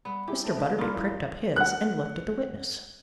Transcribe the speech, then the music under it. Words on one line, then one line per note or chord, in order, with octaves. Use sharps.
Mr. Butterby pricked up his, and looked at the witness.
G3 B3
E4 G4 G#4
A3 D4 A4 C5
D#4 G#4 B4
G3 A#3 F4 A4 A#4 B5
F#2 E4
F#5 F#6